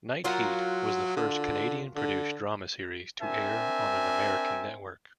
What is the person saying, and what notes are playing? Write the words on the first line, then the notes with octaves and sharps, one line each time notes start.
"Night Heat" was the first Canadian-produced drama series to air on an American network.
F#3 F4 F#4 A#4
D3
D3
C4 D4 A#4 E5 G#5